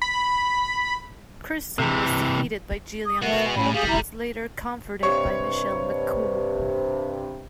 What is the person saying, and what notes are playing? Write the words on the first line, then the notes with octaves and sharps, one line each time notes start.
Kristal was defeated by Jillian Hall but was later conforted by Michelle McCool.
B5
C3 E3
D#6
A3 B3 F#4 A#4
A2 C#4 B5
G3 G#4 F5
E4 A#5
G2 C3 C#5 C#6